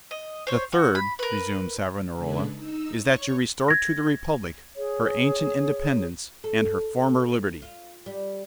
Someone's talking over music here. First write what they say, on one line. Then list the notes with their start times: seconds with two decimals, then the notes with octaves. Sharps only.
"The third," resumed Savonarola, "is that you restore to the republic her ancient independence and her former liberty."
0.11 D#5
0.47 C5 C#5
0.72 F#4
0.95 B5
1.19 A#4 B4
2.16 C#3 G#3 D4 G#4 A4 B4
2.53 D#4 E6
2.91 C#5 C#6
3.68 G#6 A#6
4.76 G#4 C#5
6.44 A4
7.62 F4
8.06 G3